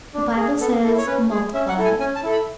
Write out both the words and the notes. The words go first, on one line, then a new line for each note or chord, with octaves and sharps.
The Bible says: Multiply.
D4
G#4
B3 A4
A4
E4
C#5
C#4 B4
G#4
C#4 E5
F#5
E4 A4
G#5
C#4 G#5
A5
E4 A4
B5